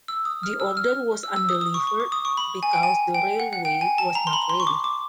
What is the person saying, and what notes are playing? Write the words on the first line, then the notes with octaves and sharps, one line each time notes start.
The order was undelivered because the railway was not ready.
E6
D#6
F6
E6
F6
E6
E6
D#6
D#6
C#6
C#6
D6
D#6
C#6
B5
G#5
G5
G#5
G5
F#5
F#5
G5
G#5
A5
A#5
C6
B5
C6
C#6
D6
D6